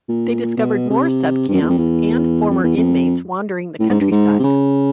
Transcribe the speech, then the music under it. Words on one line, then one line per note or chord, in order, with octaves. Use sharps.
They discovered more subcamps and former inmates wandering the countryside.
A#2
B2
C3
G2
F#2
E2
F2
E2
F2
E2
F2
A2
G#2
G2
G#2
C3
C#3